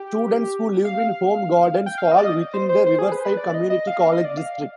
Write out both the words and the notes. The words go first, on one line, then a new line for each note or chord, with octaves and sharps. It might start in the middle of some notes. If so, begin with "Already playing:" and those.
Students who live in Home Gardens fall within the Riverside Community College District.
Already playing: G4
F5
G5
F5
D#5
D5
D#5
C5
C5
C5
G#4
B4
C5
B4
D5
D#5
D#5
F5
F5
D#5
D5
F5